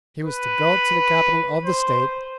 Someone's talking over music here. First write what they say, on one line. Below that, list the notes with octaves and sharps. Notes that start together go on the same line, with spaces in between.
He was to go to the capital of the State.
B4
C5